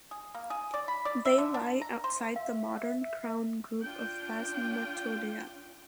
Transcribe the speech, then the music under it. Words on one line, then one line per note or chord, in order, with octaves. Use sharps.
They lie outside the modern crown group of Phasmatodea.
G#4
A#3
G#4
D5
B5
D5
E5
D3
D4
A#5
C5
E5 F5
D4 F4 G5 G6